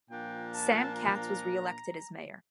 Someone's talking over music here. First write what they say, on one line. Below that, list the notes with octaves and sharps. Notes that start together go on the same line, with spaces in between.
Sam Katz was re-elected as mayor.
A#2 F3 A#3 D4 G5
A5
A#5